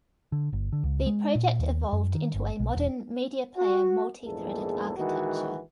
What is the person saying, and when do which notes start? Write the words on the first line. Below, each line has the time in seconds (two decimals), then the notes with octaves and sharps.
The project evolved into a modern media player multi-threaded architecture.
0.32 D3
0.53 G1
0.72 D3
0.84 C#2
1.06 G#3
1.35 A#2
1.59 D#2
1.93 F#2
2.14 D#3
2.34 G1
2.59 B1
2.75 E1
3.57 F#4
4.24 A#1 E2 G#2 G#3 A#3 A4
4.97 A#1 D#3 E3 G#3 F#4